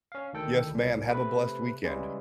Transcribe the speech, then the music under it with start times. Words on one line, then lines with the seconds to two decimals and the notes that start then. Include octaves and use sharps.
Yes, ma'am, have a blessed weekend.
0.12 C#4 F5
0.33 D2 D#3 A4 G5
0.71 C2 A#2
1.07 C3 A3 B4
1.84 C#3 E3 G3 G#3